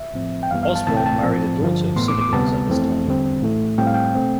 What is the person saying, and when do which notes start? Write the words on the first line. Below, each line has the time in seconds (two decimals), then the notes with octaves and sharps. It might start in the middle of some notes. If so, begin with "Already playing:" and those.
Oswald married a daughter of Cynegils at this time.
Already playing: E5
0.14 A2 F3 C4
0.43 G5
0.50 G2 E3 G3 B3 F5
0.63 F5
0.75 A5
0.87 D2 C3 E3 A3 C4 A5
0.97 G5
1.06 A5
1.23 A2 F3 C4
1.60 G2 D3 F3
1.96 A2 E3 B3 C6
2.08 D6
2.21 D6
2.32 D2 C3 G3 B3 A5
2.69 F2 E3 A3 C4
3.05 E2 D3 G3 C4
3.42 A2 E3 A3
3.78 A2 G3 C4 G5
3.87 F5
3.94 G5
4.15 B2 A3 C4